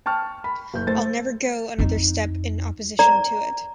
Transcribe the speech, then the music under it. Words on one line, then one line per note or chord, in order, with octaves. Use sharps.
I'll never go another step in opposition to it.
G5 A5 C#6 F6
B5
F#1 G6
A3 C5 A6
F2 D#4
D5 A#5